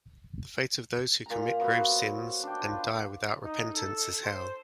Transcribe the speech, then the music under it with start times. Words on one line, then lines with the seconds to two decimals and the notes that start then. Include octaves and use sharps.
The fate of those who commit grave sins and die without repentance is Hell.
1.26 A#2 A#5
1.60 F#3 B3 F#4 C5
2.43 D4 G5
2.61 F4
3.43 D#4
3.73 A4
4.23 C5